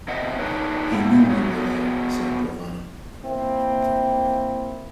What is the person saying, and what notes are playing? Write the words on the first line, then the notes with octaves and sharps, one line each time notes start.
"He knew we were there," said Lovano.
C3 D#5 F#5
D4 D#4 G#4 B4 C#5
A#3 B3 E4
B3 F#4 G#4 C#5
A#3 C4 E4